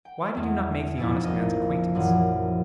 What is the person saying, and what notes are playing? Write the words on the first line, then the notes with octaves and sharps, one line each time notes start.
Why did you not make the honest man's acquaintance?
G5
E2
F2 G#2 E4 A6
A#1 A#3 D#5
F#2 A#2 E3 F3